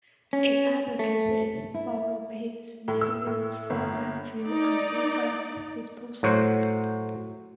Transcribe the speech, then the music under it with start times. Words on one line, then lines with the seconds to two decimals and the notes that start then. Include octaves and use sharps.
In other cases, borrow pits may be used for landfill and waste disposal.
0.33 C#4
0.99 A3
1.74 E4
2.88 A2
3.01 E6
3.27 A2
3.70 G1
4.43 D#4 D5
6.23 A2 F#3 F#4 C5